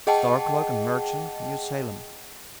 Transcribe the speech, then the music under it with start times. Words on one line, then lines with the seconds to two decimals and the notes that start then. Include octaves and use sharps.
Store clerk and merchant, New Salem.
0.07 G#4 D#5 F#5 G5 A5